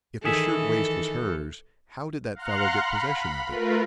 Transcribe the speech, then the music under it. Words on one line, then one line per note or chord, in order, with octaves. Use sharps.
If the shirtwaist was hers, how did that fellow get possession of it?
D#3 E3 G#4 A4 E5
F5 F#5 A#5 C6 F6 F#6
B5
A3 F4 A#4 B4